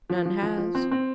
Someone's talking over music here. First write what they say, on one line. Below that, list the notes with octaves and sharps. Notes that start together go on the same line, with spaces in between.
"None has."
F3
F3
F3
F3
C4
C4